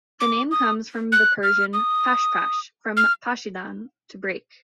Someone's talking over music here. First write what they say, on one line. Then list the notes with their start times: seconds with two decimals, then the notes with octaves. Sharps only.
The name comes from the Persian "pash-pash", from "pashidan", to break.
0.21 D6
0.51 D#6
1.12 F#6
1.43 F6
1.73 D#6
2.97 F6